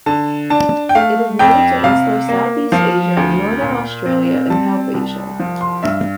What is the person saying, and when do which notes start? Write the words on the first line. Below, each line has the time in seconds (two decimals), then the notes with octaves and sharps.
It is native to insular Southeast Asia, northern Australia and Papuasia.
0.06 D3 A5
0.50 D4 A5
0.89 G5
0.95 A3 F5
1.39 F2 G5
1.84 C3 F5
2.29 A#3
2.72 F3 F5
3.17 D2
3.61 A#2
4.06 C4
4.50 G3 A5
4.94 C2
5.39 F3
5.61 C6
5.83 G2 E5